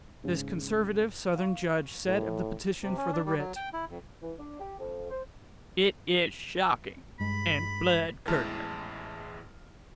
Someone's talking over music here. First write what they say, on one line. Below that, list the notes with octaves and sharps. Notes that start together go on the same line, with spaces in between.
This conservative, Southern judge said of the petition for the writ, "It is shocking and blood- curdling."
G#2 C#3
F5 C#6
A2
C3
C#4
D4
G3
F#3
G5
E4
F2
E3
D4
G4
F2
C5
G2 G#3 B5
A1 E2 G#3 E4 A5 F6